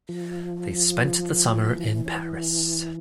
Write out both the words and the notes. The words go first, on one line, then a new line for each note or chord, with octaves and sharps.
They spent the summer in Paris.
F3
E3